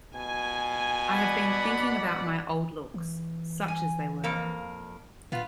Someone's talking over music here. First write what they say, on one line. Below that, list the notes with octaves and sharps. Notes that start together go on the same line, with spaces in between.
I have been thinking about my old looks — such as they were.
B2 G#5
D5 F#5 B5
E3
G#5
F2 A#3
A#2 B3 F4